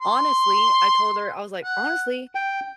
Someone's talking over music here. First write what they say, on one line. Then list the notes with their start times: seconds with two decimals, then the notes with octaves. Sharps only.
honestly, I told her, I was like, "Honestly,
0.02 C6
1.64 F#5
2.35 G5